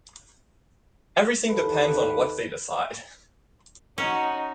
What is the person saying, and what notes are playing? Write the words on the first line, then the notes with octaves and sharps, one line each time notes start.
Everything depends on what they decide.
D#2 A4 B4
C#4 D#4 F#4